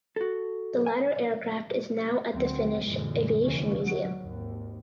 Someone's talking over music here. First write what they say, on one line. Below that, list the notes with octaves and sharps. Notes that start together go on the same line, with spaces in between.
The latter aircraft is now at the Finnish Aviation Museum.
F#4 A4
G#5
D2 F#3 C4
F#2 A#2 D3 E3 G#3
F1 D#2 D3 E3 C#4
F#3
G#1 D#2